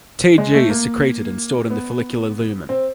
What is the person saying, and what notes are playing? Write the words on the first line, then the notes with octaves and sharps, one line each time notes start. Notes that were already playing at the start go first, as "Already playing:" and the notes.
Tg is secreted and stored in the follicular lumen.
G#3
A3
A#3
B3
C4